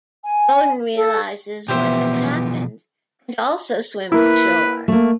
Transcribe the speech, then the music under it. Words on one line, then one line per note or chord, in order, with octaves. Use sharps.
Bowden realizes what has happened, and also swims ashore.
G#5
A4
B2 E3 F3 B3 G4 C5 E5
A#3 E4 B4
A3 A#3